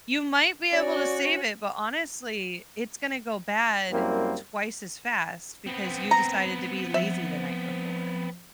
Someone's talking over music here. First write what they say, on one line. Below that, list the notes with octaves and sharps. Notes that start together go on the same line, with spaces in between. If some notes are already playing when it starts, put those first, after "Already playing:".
you might be able to save it, but honestly, it's gonna go bad twice as fast because you decided to be lazy the night before.
C#4 F#4 D5
F#2 G3 A#3 C4 E4
B3 C4
A#5
F3 E5